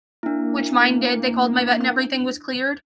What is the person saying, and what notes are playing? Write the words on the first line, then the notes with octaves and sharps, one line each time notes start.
which mine did. They called my vet and everything was cleared.
A#3 D4 E4